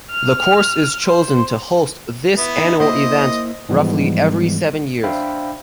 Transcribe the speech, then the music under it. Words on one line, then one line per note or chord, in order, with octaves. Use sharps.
The course is chosen to host this annual event roughly every seven years.
F6
C5
B3 E4
D#4
A#3 E4 C5 D#5
G#2 E3 F3 G3 G#3 B3
D4 C5 E5 F5 G5 B5